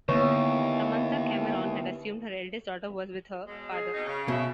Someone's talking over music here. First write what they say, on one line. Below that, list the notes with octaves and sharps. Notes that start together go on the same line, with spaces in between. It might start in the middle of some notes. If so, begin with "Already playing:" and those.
Samantha Cameron had assumed her eldest daughter was with her father.
D#2 D3 E3 A#3 B3 B4 C#5 C#6
B2 F#3 G#3
G#4
B2 C4 D#4
C#3
B2 E5